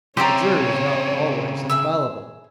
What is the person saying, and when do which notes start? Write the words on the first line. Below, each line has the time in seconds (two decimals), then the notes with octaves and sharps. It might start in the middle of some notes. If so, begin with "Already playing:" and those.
"A jury is not always infallible!"
0.17 C#3 C4 G4 C#5 D5 E5 A#5 C6
1.70 G#4 E5 E6